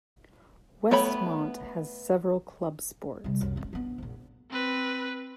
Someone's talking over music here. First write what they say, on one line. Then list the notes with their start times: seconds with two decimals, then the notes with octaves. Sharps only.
Westmont has several club sports.
0.91 A3 B3 C#5 G5 B5
3.24 C3 G3
3.41 C2 F#2
3.56 G#3 C#4
3.73 B3 D4
3.98 A#1 F2
4.50 C4 B4